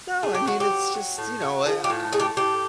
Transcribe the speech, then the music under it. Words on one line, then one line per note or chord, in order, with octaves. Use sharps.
No. I mean, it's just you know, eh, I I
A2 G#4
G4
F#3 F#4
G4
F#3
F#3
A2
F#3
F3 G#4
G4
A2
A3 G#4
G4
A2 G4